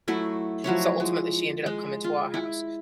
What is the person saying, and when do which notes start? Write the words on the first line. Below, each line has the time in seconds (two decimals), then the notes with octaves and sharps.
so, ultimately, she ended up coming to our house,
0.08 F#3 A3 E4
0.64 F3 F#3 E4 C#5
1.00 G#3
1.66 G#3
2.04 F4
2.34 E4